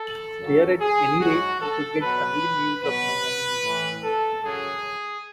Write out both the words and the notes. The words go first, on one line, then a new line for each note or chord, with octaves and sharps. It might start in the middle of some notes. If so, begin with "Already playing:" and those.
Here, at any rate, I could get early news of my enemies.
Already playing: A4
F#2 C#3 F#3
G#4
G#2 F#3 F#4
A4
B2 F#3 B4
B2 F#3 B4
A2 E3
A4
F#2 C#3 F#3 G#4